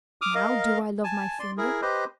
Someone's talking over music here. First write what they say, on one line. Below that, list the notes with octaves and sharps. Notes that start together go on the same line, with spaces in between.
Now do I love my finger?
D6 D#6 F6
A#4 D#5 F5
G#5 A5
D5 C6
E4 G#4 A#4
G4 B4 C5 D#5